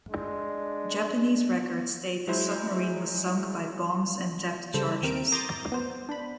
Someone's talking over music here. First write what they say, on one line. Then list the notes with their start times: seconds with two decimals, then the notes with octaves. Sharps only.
Japanese records state this submarine was sunk by bombs and depth charges.
0.10 G#3 D4
2.27 F#3 G#3 E4 C5
4.74 C#3 G3 A4 C5 E6
5.02 D#2 C4 A#4 D7
5.32 A#5 C6 D6 D#6 G6 A6
5.72 B3 C5
6.09 D4 B5